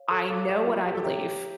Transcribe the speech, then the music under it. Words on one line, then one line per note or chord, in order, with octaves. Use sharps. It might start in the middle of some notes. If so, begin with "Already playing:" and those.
I know what I believe.
Already playing: C#5 F5
A4
A4 C#5 F5 A#5 D6
G4
F4
G4
A4
G4 C#5 E5 G5 A#5